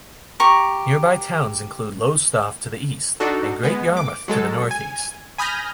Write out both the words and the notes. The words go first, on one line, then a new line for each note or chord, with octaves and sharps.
Nearby towns include Lowestoft to the east and Great Yarmouth to the northeast.
G4 A#5 C#6
D4 D#4 F#4 A4
G#3 B3
D6
F#3 G#3 A4
G#5
G#5 B5 D#6 F6 G6 A#6